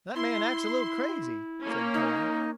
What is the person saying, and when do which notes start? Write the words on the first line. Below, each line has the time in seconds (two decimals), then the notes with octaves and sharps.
"That man acts a little crazy," said Tom.
0.16 E4 C6
1.61 A#3 C#4
1.94 D#4